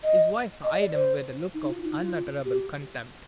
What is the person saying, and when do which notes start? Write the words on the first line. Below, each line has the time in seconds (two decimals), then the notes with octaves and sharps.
His wife eyed him with a look of unutterable contempt.
0.03 D#5
0.64 D#5
0.79 D5
0.94 C5
1.54 D#4
1.69 F4
1.84 D#4
1.99 F4
2.45 G4